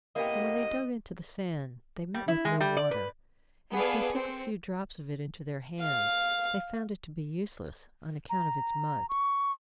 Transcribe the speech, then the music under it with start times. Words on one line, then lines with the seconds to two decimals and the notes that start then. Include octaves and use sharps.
And when they dug into the sand, they met with no water; and if they took a few drops of it into their hands, they found it to be useless, on account of its mud.
0.16 A2 C3 A#3 B3 G4 D#5
2.14 G3
2.28 E4
2.45 G#3
2.61 G3
2.77 D5
2.91 B4
3.73 B3 G#4 A4 B4 D5 F5
4.12 C4 C#7
5.80 F5
8.30 A#5
9.09 C#6